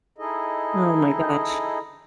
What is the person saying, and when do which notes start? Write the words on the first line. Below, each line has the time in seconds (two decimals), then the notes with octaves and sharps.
Oh my gosh.
0.18 D#4 E4 G#4 A4 D#5